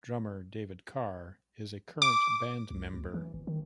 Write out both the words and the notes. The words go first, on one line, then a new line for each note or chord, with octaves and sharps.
Drummer David Carr is a current band member.
D6
C#2
D2
E3
G1
D#3